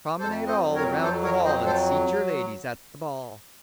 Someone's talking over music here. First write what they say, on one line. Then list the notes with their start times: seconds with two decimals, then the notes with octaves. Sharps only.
"Promenade all Around the hall, And seat your ladies at the ball."
0.20 F2 A4 C5
0.47 C5 D#5
0.62 F#3
0.75 A#4 C#5
1.03 F2 A4 C5
1.24 A#4 C#5
1.45 F#3 C5 D#5
1.66 A4 C5